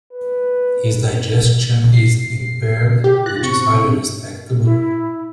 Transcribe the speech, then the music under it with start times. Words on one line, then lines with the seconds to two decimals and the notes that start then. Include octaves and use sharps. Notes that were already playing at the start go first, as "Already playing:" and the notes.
His digestion is impaired, which is highly respectable.
0.13 B4
1.93 C7
3.04 G4
3.26 F4 F#6 A6 A#6
3.43 C3 C4 C#6
4.64 E4